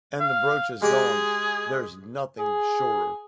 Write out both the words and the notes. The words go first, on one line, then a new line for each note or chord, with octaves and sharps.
And the brooch is gone, there’s nothing surer.
F5
G#3 G4 G#4 D#5
G#4